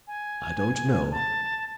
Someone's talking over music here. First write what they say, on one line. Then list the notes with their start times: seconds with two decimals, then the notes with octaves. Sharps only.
I don't know.
0.07 G#5
1.11 A5